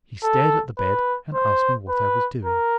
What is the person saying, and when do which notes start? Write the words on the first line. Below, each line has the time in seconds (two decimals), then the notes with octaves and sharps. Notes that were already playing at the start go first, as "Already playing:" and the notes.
He stared at the bed, and asked me what I was doing.
0.24 A4
0.78 B4
1.35 C5
1.89 B4
2.45 A#4